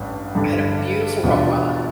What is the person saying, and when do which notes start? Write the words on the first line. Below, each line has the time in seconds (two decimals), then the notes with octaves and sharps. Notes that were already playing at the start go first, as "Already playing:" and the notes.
I had a beautiful Rottweiler
Already playing: A1 G2
0.35 G2 D3 G3 D4
1.23 E2 B2 G3 D4 F4